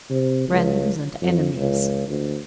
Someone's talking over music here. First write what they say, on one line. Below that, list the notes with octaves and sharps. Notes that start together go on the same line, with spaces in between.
"Friends and enemies!"
C3
C#2
F2
C#2
D2